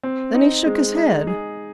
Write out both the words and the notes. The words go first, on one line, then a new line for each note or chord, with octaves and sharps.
Then he shook his head.
C4
D#4
G#3
D#4
G#4